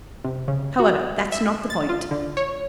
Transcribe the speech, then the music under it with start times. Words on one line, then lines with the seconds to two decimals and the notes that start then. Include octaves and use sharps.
However, that's not the point.
0.24 C3
0.48 C#3
0.79 F#4
1.32 E5
1.70 A6
1.89 F4
2.11 D3
2.37 C#5